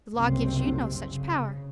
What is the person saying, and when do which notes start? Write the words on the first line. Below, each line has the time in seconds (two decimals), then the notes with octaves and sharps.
The law gives you no such power.
0.16 F#1 C2 C3 C4
1.08 C#3